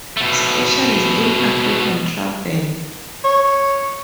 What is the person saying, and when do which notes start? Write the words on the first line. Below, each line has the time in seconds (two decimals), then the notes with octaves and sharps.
Specialist in African Travel.
0.17 B2 A3
3.24 C#5